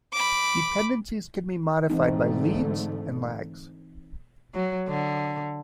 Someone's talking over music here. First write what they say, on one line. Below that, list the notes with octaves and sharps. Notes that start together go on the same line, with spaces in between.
Dependencies can be modified by leads, and lags.
B5 D6
G#2 D3 E3 A3 C4 D#4
F#3
D3